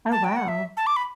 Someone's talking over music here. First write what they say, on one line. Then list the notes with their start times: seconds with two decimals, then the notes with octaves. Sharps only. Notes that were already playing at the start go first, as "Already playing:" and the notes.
Oh wow.
0.11 A5
0.24 G5
0.36 F#5
0.48 E5
0.77 A5
0.87 D6
0.96 B5